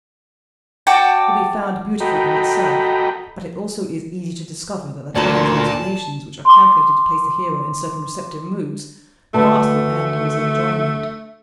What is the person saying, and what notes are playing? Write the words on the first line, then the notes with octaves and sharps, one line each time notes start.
It will be found beautiful in itself; but it also is easy to discover that the titles and explanations which are calculated to place the hearer in certain receptive moods vastly add to his enjoyment.
F#4 D5 G5 A5
F#4 A4 D#5 G5 A#5 B5
D2 A#2 D5 A5 A#5
C6 D6
D2 A3 B4 A5